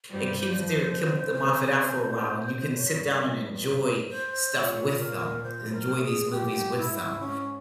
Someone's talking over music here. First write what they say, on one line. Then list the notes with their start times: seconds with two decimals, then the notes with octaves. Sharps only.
It keeps their keep them off it out for a while, and you can sit down and enjoy stuff with them, enjoy these movies with them,
0.11 G2 G3 C5
0.55 F2 F3
1.00 C#3
1.44 C3
1.89 A#2
2.77 G2 C#5
4.10 C5
4.54 A#2 C#5
4.99 A#4
5.43 C5
5.73 A#4
6.03 G#4
6.32 G#2 G4
6.77 E4
7.20 C#4